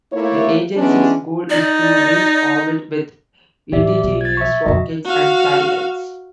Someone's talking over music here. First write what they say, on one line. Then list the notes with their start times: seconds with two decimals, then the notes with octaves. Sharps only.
The agency's goal is to reach orbit with indigenous rockets and satellites.
0.12 A3 A#3 E4 C#5
0.76 E3 G#3 B3 C#4 D4
1.50 D#4 D5
3.72 A2 E3 G4 D5 E5
4.03 B1
4.21 G#6 A6
4.37 E5 C#6
4.66 B1 F2 F#4 D#5
5.05 F#4 F5